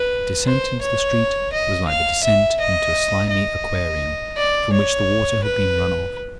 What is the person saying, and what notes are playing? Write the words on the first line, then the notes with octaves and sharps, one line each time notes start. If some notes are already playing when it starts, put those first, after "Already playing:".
His descent into the street was like the descent into a slimy aquarium from which the water had been run off.
Already playing: B4
C5
C#5
D#5
F5
E5
D#5
D#5
D5
C#5
B4